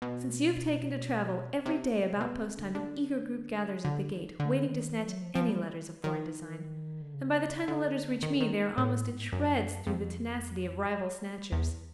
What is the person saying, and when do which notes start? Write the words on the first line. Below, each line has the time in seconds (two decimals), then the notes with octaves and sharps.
Since you have taken to travel, every day about post time an eager group gathers at the gate, waiting to snatch any letters of foreign design, and by the time the letters reach me they are almost in shreds through the tenacity of rival snatchers.
0.02 B2
1.66 C3
2.20 B2
2.38 C3
2.57 D3
2.75 D3
3.85 D3
4.12 D#3
4.40 D3
4.67 D#3
4.94 E3
5.08 F#3
5.22 F3
5.35 F3
5.49 G3
6.04 D#3
7.02 D3
7.14 C#3
7.68 D3
8.23 D#3
8.32 D3
8.40 D#3
8.78 A2
9.05 G#2
9.33 F#2
9.87 F2
11.52 E2